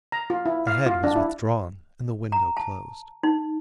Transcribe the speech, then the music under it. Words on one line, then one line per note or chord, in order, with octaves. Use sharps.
The head was withdrawn and the window closed.
A#5
F4
E4
F5
F4
D4
E4
A#5
A5
D#4